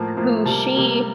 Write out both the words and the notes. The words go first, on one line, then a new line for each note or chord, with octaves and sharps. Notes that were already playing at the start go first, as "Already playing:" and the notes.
who she
Already playing: A2 F3 A#3 A5
A2 F3 A#3
C3 G3 A#3 A5
C3 G3 A#3